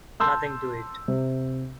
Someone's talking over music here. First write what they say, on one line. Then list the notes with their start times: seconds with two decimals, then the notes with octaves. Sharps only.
Nothing to it.
0.20 A5 C6 E6 G6
1.08 C3